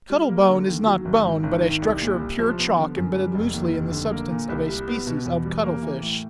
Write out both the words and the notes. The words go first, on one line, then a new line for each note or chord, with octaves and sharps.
Cuttle-bone is not bone, but a structure of pure chalk imbedded loosely in the substance of a species of cuttlefish.
G3
A#3
D3
D#2
F#3
G#1
G#2
G#1
D#3
C2
A#2
C2
F3
B3
D3
F#2
G3
F1
D#2
F1
D3
A#3
A#2
C2
G3
B3
B2
E2
G3
A#3
E3
A2